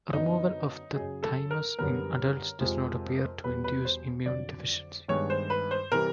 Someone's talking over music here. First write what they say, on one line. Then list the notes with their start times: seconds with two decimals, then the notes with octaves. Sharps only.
Removal of the thymus in adults does not appear to induce immune deficiency.
0.13 F#2 D3 F#3 B3 D#4
0.95 F#2 C#3 F#3 G#4
1.23 A4
1.51 A#4
1.78 F#2 D3 G3 B3 A#4
2.60 F2 C3 F3 G#3
3.44 E2 B2 G3 B4
3.64 B4
3.85 C5
4.25 F2 D3 F#3 D5
5.08 G2 D#3 G#3 B3 C#5
5.30 C5
5.50 B4
5.71 C5
5.92 C3 E3 G3 A#4